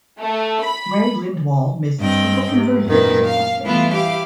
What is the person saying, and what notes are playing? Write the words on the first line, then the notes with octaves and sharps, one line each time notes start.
Ray Lindwall missed four conversion attempts that day.
A3
B5
G2 C4 D#5 G5
G#2 C3
F#2 A#2 D#3 B4
F5
E3 G3 A3 B3 E4 F4
E4 G4 F5 D6